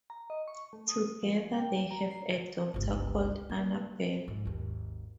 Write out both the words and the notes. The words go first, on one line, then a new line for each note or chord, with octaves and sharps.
Together they have a daughter called Annabelle.
A#5
D#5
C#6
A3
D#6
F3
G5
A#5
C7
G1 C#2
A#3
G#2
G#1 D#2